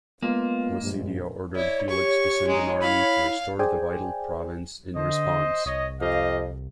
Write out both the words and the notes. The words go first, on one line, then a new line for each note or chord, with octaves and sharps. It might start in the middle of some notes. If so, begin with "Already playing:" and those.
Placidia ordered Felix to send an army to restore the vital province in response.
G#3 A#3 B3 F4
A#1 G2
E4 C#5 D5
G4 C#6
G#3 D#4
E4 F5 B5
G#4 C5 D5 G5 G#5
D3 C5 D#5
C2 C#5 D#5
F2 G4 D#5 F5